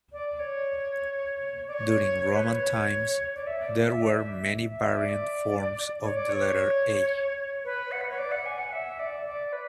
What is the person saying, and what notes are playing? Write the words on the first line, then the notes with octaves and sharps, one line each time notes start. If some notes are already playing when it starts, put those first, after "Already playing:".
During Roman times, there were many variant forms of the letter "A".
D5
C#5
D5
C#5
C#5
B4
C#5
C#5
D5
E5
D5
E5
D5
E5
E5
E5
D5
C#5
D5
C#5
B4
F#5
B4
C#5
D5
F#5
G#5
F#5
E5
D5
D5
B4